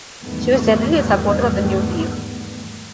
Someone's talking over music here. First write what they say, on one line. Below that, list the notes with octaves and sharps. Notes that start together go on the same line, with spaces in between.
She was generally a supporter of the New Deal.
E2 G#2 D#3 G3 A3 B3